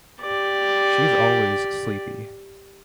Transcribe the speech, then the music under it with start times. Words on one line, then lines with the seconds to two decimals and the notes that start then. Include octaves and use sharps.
She's always sleepy!
0.22 G4 D5